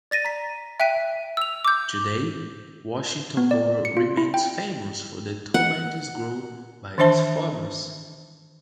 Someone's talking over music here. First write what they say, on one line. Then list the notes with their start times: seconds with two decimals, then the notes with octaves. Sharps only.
Today, Washington Boro remains famous for the tomatoes grown by its farmers.
0.11 D5 A6 A#6 D#7
0.25 A#5 B6
0.80 E5 G5 F#6 B6 D#7
1.37 E6 F7
1.65 D6 G6
3.37 B3
3.51 D5
3.85 C#7
3.97 F4
4.17 E4
4.34 G5
5.54 F#5
6.98 D#3 E3 D4 C5 E5 A5